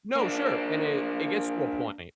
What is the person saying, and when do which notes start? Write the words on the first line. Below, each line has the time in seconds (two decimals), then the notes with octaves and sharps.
No, sure, and it it gets to a point.
0.15 A#3 D4